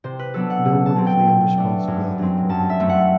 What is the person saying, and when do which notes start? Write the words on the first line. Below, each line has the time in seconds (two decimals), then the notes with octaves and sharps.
No one claimed responsibility for the attack.
0.04 C3 C5
0.19 B4
0.34 F#3 B3 D4 A4
0.50 F#5
0.65 B2
0.86 A5
0.96 F#3 C4
1.07 G5
1.27 B2
1.57 A3 D4
1.88 F#2
2.19 F#3 C4
2.49 F#2 A5
2.70 E5
2.80 F#3 A3 C4
2.89 F#5